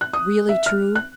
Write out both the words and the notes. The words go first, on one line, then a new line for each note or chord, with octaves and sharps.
"Really true?"
F#6
D#6
E5
F6
F#6